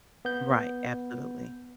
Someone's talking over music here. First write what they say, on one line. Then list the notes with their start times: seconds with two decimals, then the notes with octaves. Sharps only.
Right. Absolutely.
0.25 B3 G6